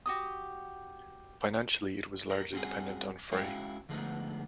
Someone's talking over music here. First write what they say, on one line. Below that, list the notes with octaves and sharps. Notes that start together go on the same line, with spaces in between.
Financially, it was largely dependent on Frey.
F#4 G4 D#6
G3 A#4
G3 C4 C#4 F#4 G#4
G#3 C#4 E4 F#4 F5 G5
D3 F3 G#3 A3 B3 D#4